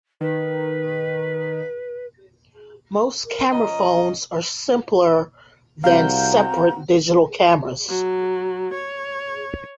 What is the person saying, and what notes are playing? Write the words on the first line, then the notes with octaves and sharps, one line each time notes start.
Most camera phones are simpler than separate digital cameras.
D#3 B4
A#4
F3 C#4 D#5 A#5
C2 C4 F#4 F5 A#5 G6
F#3
C#5